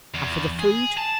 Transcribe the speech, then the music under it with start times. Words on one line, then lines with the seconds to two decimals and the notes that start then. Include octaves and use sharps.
And for the food!
0.14 E2
0.59 G#4
0.97 A5